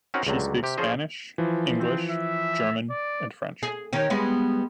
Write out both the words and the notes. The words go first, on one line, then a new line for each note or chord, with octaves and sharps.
She speaks Spanish, English, German and French.
C4 C#4 D#4 F#4 A#4 F#5
C#2 D3 F#3 G3
C3 G4
F3 C#4 G#4 A4 C5 D#5
E3 F3
C4
E5
D5
G#4
D#3 C#4 G4
G3 G#3 B3